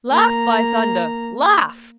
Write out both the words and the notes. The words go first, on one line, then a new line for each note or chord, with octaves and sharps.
Laugh, by thunder, laugh!
A#3 A#5